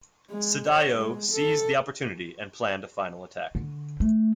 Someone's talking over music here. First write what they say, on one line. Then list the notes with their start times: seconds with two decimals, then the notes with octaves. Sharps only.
Sadayo seized the opportunity and planned a final attack.
0.31 G#3
0.69 C#5
0.98 G#3
1.33 A4
3.55 D3
4.00 A3